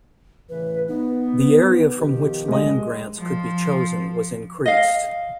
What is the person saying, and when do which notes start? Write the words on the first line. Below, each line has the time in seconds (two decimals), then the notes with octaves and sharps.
The area from which land grants could be chosen was increased.
0.49 A2 C#3 E3 B4
0.88 B3 D#4
1.98 B2 D#3 F3 G4
2.48 G#3 D#5
3.19 F3
4.66 D#5 F5